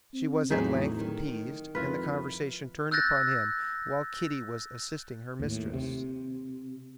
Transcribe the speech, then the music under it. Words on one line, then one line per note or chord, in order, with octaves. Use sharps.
She was at length appeased, and the conversation turned upon him while Kitty was assisting her mistress.
C4
E2 A2 F#3 C4 D#4 G#4 E5
D#3
F2 E4 F4 B4
E6 F#6 G6 A6 A#6
D#2 A2
C3